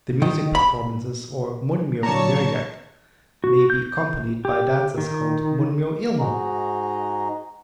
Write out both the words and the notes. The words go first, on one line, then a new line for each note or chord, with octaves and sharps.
The music performances or "munmyo jeryeak" may be accompanied by dances called "munmyo ilmu".
D#3
B5
A#2 D3 F#3 C#5 A5 A#5 C#6
F#4
G6
G4
D#3
G#2 D#4 F#4 G#4 D#5 A#5